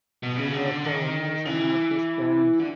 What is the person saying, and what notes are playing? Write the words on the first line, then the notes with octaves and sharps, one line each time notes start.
He was the only son of his parents.
B2
C#3
D3
D#3
E3
D3